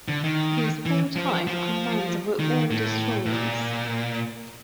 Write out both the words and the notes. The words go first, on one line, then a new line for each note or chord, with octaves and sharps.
His wartime commands were all destroyers.
D3
D#3
E3
F3
F3
D#3
A2
A2
A#2